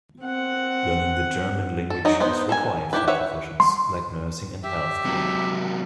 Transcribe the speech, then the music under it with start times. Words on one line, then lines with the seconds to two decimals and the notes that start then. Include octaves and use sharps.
Learning the German language is required for professions like nursing and healthcare.
0.23 C4 F#5
1.90 A4
2.05 F#3 D#4
2.20 B3 D#4 C5
2.49 A4 A#4 G#5
2.93 E4 F#4 G4 B4
3.08 B4 C#5 E5 F#5
3.60 C6
4.63 G4 E5
5.05 C3 F#3